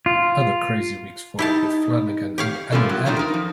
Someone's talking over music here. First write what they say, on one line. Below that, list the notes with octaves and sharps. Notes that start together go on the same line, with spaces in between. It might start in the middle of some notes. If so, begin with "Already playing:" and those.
Other Crazy Weeks followed with Flanagan and Allen added.
F4
D#4 E4 G4 A5
G4 C#5 F5
G3 A3 A#3 C#4 F4 A4
A2 F#3
F#3 A3 C4 D4 D#4 F4
D#4 A#4
F3